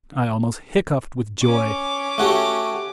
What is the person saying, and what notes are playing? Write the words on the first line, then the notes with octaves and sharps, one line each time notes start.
I almost hiccoughed with joy.
C#4 D6
A3 F#4 G4